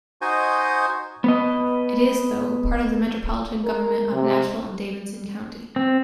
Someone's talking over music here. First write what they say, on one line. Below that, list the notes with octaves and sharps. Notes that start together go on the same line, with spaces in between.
It is, though, part of the Metropolitan Government of Nashville and Davidson County.
D#4 F#4 C5 D#5 G#5
B3 B4 D#5
A#4
C3
C4